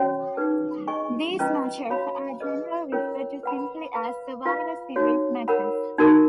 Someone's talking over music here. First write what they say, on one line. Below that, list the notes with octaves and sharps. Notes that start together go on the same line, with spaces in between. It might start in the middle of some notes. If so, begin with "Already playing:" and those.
These matches are generally referred to simply as Survivor Series matches.
Already playing: C#4 F#4 C#5
D#4 G#4 B4
G#4 D#5 G#5 C#6
C#4 F4 B4 D#5 A#5
F#4 C#5 F5 B5
G#4 B4 D#5
C#4 F4 A#4 C#5
B4 F#5 B5
B4 F5 B5
F4 B4 F5 B5
D#4 F#4 C#5
A#4 C#5 F#5 B5
D#4 F#4 A#4